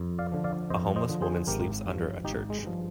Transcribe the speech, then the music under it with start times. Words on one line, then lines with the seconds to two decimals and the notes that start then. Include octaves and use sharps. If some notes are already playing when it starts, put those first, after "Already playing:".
A homeless women sleeps under a church.
Already playing: F2
0.19 D5 F5
0.32 D3 F3
0.44 D5 F5
0.70 F2 C5 D#5
0.96 C5 D#5
1.09 D3 F3
1.22 G#4 C5
1.47 G#1 G4 A#4
1.86 G2 F3
2.24 G#1 D#4 G4
2.50 G#3
2.63 G2 F3